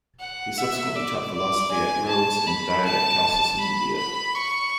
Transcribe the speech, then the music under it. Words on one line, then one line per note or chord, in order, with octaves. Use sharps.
He subsequently taught philosophy at Rhodes, and died at Chalcis in Euboea.
F#5
E5
D5
D5
G#5
A5
B5
A5
B5
B5
C#6